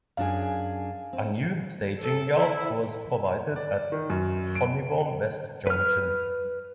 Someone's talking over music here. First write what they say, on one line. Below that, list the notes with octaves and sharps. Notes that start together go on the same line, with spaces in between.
A new staging yard was provided at Honeybourne West Junction.
F#2 D4 G#4 F5 G#5
C4
A4
E4
D5
D#3
F#2
D7
B4 F6